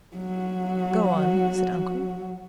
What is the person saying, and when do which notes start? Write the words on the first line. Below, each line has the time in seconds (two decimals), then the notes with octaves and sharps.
"Go on," said uncle.
0.16 F#3 F#4